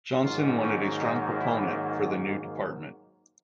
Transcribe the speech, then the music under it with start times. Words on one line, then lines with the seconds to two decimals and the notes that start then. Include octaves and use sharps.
Johnson wanted a strong proponent for the new department.
0.20 G#2 D#3 F#3 A#3 F4
0.60 C#4
0.98 D#4
1.37 E4